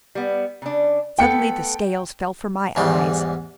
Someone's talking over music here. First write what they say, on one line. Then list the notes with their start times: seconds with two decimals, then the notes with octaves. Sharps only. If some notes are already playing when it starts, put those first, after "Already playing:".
Suddenly the scales fell from my eyes.
0.15 G3 B3
0.62 C#3 D4
1.19 A3 B3 A4 G5 C#7
2.76 E2 G#2 E3 G3 C6